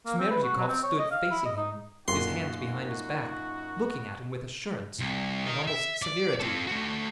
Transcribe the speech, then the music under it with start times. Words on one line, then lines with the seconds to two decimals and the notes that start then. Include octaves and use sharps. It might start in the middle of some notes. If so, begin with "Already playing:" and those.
Smerdyakov stood facing him, his hands behind his back, looking at him with assurance and almost severity.
0.05 A#3
0.19 C4
0.30 B4
0.43 F#4
0.57 F#3
0.68 C4
0.83 C#5
0.99 D#5
1.11 F5
1.31 E4
1.45 D#5
1.57 D#4
2.08 F#2 A#2 D#4 F#4 C6
4.99 C2
5.46 A#4 D#5
5.68 E5
6.02 D5
6.40 C4 A4
6.67 A3 F#4